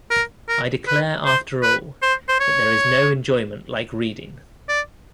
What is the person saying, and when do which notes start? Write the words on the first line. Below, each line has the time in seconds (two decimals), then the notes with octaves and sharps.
I declare after all there is no enjoyment like reading!
0.11 A#4
0.49 A#4
0.87 B4
1.26 C5
1.63 B4
2.02 C5
2.28 C5
2.40 C#5
4.69 D5